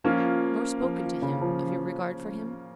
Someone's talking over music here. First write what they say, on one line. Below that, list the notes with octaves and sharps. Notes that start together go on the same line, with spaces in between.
"Nor spoken to him--of your regard for him?"
F3 A#3 C#4 F4
F3
C#3
F3